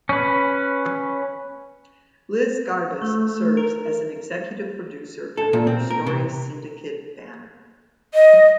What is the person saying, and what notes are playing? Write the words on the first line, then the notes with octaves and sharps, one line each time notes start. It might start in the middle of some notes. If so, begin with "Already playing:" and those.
Liz Garbus serves as an executive producer under her Story Syndicate banner.
C#4 B4
A3
A#4
A4
A#2
C4
A#4
C3
D#5